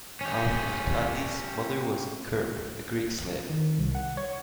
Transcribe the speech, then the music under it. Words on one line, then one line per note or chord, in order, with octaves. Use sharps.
Al-Muhtadi's mother was Qurb, a Greek slave.
C#4 G4
D#3
C2
F#5
C#5